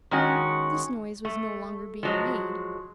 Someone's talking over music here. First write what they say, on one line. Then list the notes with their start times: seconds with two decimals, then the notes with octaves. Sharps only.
This noise was no longer being made.
0.11 D#3 G#3 C#4 F#4
1.25 A3
2.03 F3 F#3 G#3